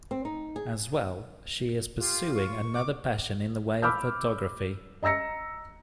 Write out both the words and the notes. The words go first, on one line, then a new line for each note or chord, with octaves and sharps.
As well, she is pursuing another passion in the way of photography.
C4
D#4
G#4
F4 G4
C#6
D6
B5 D6 E6 F6 G6
D#5 A#5 E6 A#6 C#7